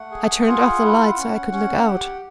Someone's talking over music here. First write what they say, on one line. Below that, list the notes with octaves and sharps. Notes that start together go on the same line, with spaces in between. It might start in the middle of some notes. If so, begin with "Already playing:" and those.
I turned off the light so I could look out.
Already playing: A3 F#5
G#4
F4
E4
C#4
C#4
G4